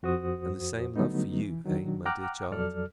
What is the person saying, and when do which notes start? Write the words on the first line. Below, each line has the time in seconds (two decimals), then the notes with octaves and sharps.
"And the same love for you--eh, my dear child?"
0.03 F2 F#4 C5 D#6
0.96 D3 F#3 G3 A3 B3 D#4
1.43 E3
1.64 D#3 F#3 D4
2.05 F#5 G5 A#5 D6 F6 F#6
2.52 F2 F#3 A4 D5 F6